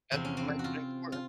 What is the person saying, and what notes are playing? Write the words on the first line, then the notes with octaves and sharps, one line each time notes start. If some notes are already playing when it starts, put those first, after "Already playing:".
That's what makes it important.
E2 C3 F3 C4
C#4
C4
F#4
F4
F4